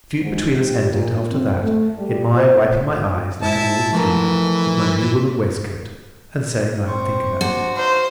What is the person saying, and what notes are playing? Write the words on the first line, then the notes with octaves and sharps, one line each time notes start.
The dispute between us ended, after that, in my wiping my eyes, like an old fool, with my new woollen waistcoat, and saying I would think about it.
G#2
G4
A#2
C4
A3
G3
C5
G#2 E4 A5
E3 F3 A3 A#4
C4 C5 C#6
D4 F#4 C5
D#4 C5 F5